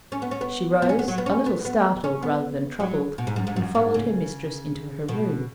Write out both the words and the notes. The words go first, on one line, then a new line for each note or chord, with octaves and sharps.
She rose, a little startled rather than troubled, and followed her mistress into her room.
C#4
B3
C#4
B3
B3
C#4
B3
F#3
B3
C#4
B3
B3
C#4
B3
F#3
B2
G#2
F#2
G#2
F#2
G#2
C#3
B2